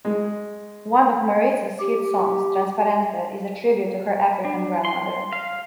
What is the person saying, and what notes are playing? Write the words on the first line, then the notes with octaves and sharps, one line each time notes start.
One of Mariza's hit songs, "Transparente" is a tribute to her African grandmother.
G#3
G4
D4
C6
F5